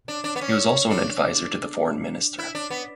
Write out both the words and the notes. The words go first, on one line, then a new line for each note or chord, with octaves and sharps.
He was also an advisor to the foreign minister.
D4
D4
B3
C#4
D4
E4
D4
B3